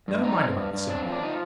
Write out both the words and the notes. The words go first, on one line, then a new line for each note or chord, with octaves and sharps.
Never mind about the simile.
G2
C4 D#4
G2
G2
G2
C4 D4
F3
D4
F3 D#4